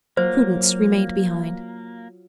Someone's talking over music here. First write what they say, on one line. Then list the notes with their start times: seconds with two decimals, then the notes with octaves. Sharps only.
Prudence remained behind.
0.17 F#3 A#3 F4 C5